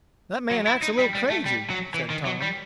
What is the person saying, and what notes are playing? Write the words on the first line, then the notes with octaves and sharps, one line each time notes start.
"That man acts a little crazy," said Tom.
F#3
E4
D#4
G3
G3
A3
G3
F#3
E3
D#3
F#3
G3